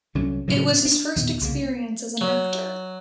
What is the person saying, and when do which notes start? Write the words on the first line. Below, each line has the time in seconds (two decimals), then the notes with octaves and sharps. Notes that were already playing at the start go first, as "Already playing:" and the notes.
It was his first experience as an actor.
0.15 C2 D3 F#3 C#4
0.48 A2 C#3 E3 F#3
0.85 D4
1.16 D#2 A#2 D#3 B3
1.41 C2 C#3 A#3
2.21 F#3